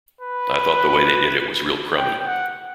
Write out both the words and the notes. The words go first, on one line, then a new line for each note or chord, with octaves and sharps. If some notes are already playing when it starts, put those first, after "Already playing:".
I thought the way they did it was real crummy.
B4
G5
F#5